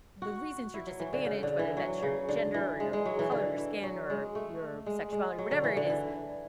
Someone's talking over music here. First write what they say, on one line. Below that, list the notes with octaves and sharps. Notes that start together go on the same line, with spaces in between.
the reasons you're disadvantaged, whether that's your gender or your color of your skin or your sexuality, whatever it is,
F#4
E4
F#3
E3
D3
C#3
D3
E3
F#3
C#3
D3
E3
G#3
G#3
F#3
E3
D3
E3
F#3
G#3
A3
G#3
G#3
F#3
D3
E3
D3
E3